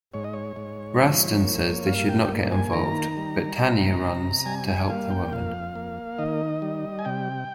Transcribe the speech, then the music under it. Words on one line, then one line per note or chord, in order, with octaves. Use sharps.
Rastenn says they should not get involved, but Tannier runs to help the woman.
G#2 C#5
D#5
C#5
G#2
F3
A#3
G2 F5
G5
A#3
G#5
D#3 A#5
G3
C3
C3
G3 G#5
G#5
A#3 F5
G5
F2 F5
A#3
D#3 D#5
G3
G#5
C3 G5